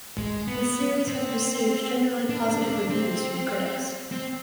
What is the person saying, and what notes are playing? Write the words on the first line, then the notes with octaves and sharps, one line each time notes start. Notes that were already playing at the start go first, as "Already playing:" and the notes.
The series has received generally positive reviews from critics.
G#3
B3
C4
D4
D4
C4
D4
C4
C4